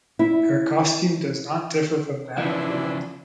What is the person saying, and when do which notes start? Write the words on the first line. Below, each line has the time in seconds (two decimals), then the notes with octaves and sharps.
Her costume does not differ from that of the women.
0.19 E4
2.38 C#3 E3 F3 D4 E4